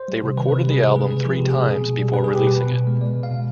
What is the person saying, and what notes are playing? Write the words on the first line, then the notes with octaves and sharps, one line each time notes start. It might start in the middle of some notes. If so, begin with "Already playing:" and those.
They recorded the album three times before releasing it.
Already playing: C5
G3
C3
D#3 B4
B4
C3
B4
G3 G#4
C3 B4
G#3 G#4
C3 B4
F3 G#4
C3 G4
G#4
G#3
B2
B2
G3
G3 B4
B2 G#4
G4
B2 B4
B2
B2
G#3
G#3 D5
B2
F5
B2